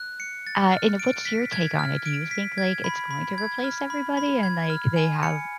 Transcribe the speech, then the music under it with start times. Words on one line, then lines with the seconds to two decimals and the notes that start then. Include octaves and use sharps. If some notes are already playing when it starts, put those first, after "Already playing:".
Uh, and what's your take on it? Do you think, like, it's going to replace everybody, and, like, they have
Already playing: F#6
0.20 C#7
0.47 A6
0.73 F6
0.99 D7
1.25 B6
1.52 G#6
1.79 F6
2.06 D7
2.31 B6
2.58 G#6
2.84 B5
3.11 B5
3.38 G#6
3.64 F6
3.90 B5
4.17 B5
4.43 G#6
4.70 F6
4.96 G#5
5.23 C#7